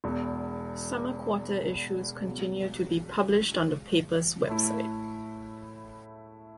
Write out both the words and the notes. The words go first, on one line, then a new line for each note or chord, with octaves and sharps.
Summer Quarter issues continue to be published on the paper's website.
E1 E2 B2
C#2 B2 F#3
A2 A3 E4